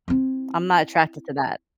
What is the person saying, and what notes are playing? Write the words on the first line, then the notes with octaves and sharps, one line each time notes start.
I'm not attracted to that.
C4 E4